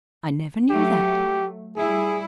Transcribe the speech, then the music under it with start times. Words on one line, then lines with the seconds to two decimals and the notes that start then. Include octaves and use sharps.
I never knew that.
0.70 F#3 A3 G4
1.77 G3 E4 G#4